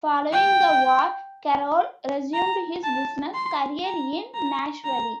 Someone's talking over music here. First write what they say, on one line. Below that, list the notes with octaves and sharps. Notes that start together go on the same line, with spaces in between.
Following the war, Carroll resumed his business career in Nashville.
G5
A#5
A5
C6
A#5
A#5
A#5